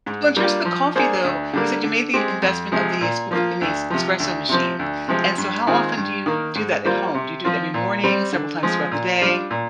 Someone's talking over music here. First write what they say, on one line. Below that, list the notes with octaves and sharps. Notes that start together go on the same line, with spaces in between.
Well, just the coffee, though, you said you made the investment of the es with in the es espresso machine, and so how often do you do that at home? Do you do it every morning, several times throughout the day?
G#2
G3 A#3 D4 F4
F3
A#3 D4 G#4 C5
D2
D3 G3 A#3
D3
G#3 C4 G4
F2
C3 F3 G#3
A#2
F3 A#3 F4
D2
C3 F3
D2
C3 F3 C4
D2
C3 F3 G#3 C4
G2
D#3 G#3 C4 F4
G2
D#3 A#3
G#2
G3 A#3 F4 C5
C3
F3 C4 F4
A#2
G3 C4
D3
F3 G#3 C4
A#2
G3 D4 F4
A#2